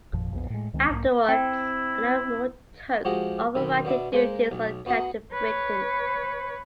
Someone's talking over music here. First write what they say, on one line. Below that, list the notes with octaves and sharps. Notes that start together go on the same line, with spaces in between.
Afterwards, Alan Moore took over writing duties on "Captain Britain".
G#1 F2 A#2 F3
A#1 E2 D3 B3
A2 G#3
C#2 D#3 G#3 C4
B1 G#2 D#3 A#3
C4 E4 G5
F3 G#3 F#4 G4 D#5
B1 D#3 B5
B2 B3 D4 E5
G#3 A#3 C5
B1
B3 F#4 D#5 F#5
B4 C#5